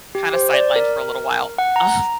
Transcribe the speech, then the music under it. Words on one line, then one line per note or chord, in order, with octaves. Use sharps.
kind of sidelined for a little while. Um,
G4
C5
D5
A#4
F#5
A#5